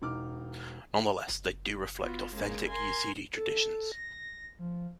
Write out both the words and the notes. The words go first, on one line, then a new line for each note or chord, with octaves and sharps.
Nonetheless they do reflect authentic Yazidi traditions.
E1 D#4 D6 F6
F#1
B3 F4 F#4
C#3 G#3 A#3
A#4 G#5 C6
A4
A#6
F3